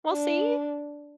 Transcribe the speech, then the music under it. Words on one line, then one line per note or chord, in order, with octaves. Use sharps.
Well, see?
D4